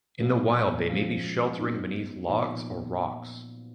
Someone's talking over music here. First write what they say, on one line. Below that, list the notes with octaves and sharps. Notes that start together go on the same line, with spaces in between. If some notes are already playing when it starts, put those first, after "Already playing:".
In the wild they may be sheltering beneath logs or rocks.
A#2 F#3 B3
F3 G#3 C#4
C#3 F#3 B3 D#4
A#2 F3 B3 D#4